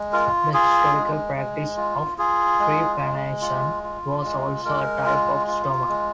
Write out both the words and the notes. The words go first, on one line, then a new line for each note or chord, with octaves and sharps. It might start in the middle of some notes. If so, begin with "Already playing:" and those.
The historical practice of trepanation was also a type of stoma.
Already playing: G#3
F4 A#4
F4 G#4
G#3
G#3
F4
F4 G#4
G#3
G#3
F4
F4
G#3
G#3 A#4
F4
F4
G#3